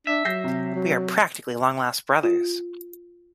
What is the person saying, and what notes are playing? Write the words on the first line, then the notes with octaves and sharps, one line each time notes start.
We are practically long-lost brothers.
D4 E5
F#3 G6 A#6 C7
C3
F#3
F4